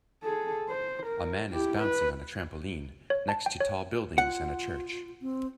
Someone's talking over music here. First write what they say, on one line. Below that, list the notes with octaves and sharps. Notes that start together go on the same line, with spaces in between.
A man is bouncing on a trampoline next to tall buildings and a church.
G#4 A4
C5
A#4
E4 G4
B4
C#5
A5
G5
C#5
F4 F#5
C4